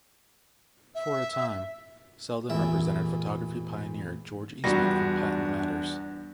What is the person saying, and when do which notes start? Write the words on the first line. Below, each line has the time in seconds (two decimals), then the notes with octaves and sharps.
For a time, Selden represented photography pioneer George Eastman in patent matters.
0.95 E5
2.50 A1 E2 A#2 E5
4.64 E2 G3 B3 D4 F4 F#4 A#6